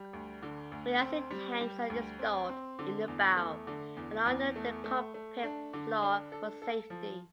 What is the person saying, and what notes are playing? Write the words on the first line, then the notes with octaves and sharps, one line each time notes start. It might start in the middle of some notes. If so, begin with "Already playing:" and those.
Buoyancy tanks are installed in the bow and under the cockpit floor for safety.
Already playing: G3
D2
D3
D2
C4
G3
G3
D2
C4
C4
D3
E2
A3
D3
E2
E2
A3
A3
A3
D4
D3
D4
A4
A4
F3